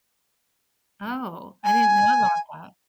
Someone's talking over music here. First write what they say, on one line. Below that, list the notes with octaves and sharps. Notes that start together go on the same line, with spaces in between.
Oh, I didn't know about that.
G#5